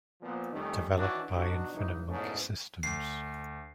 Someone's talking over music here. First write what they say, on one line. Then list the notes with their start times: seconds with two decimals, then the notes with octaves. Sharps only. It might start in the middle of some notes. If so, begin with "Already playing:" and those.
Developed by Infinite Monkey Systems.
0.21 A#2 F3 B3
0.52 F2 D#3 G3 A3 C#4 D#4
0.95 D#3 E3 C#4 D4 F#4
1.36 B2 D4 D#4 F#4
1.72 G#1 C#2 E3 F#3 D#4
2.08 E2 G#2 B2 A3 C#4
2.83 D2 C7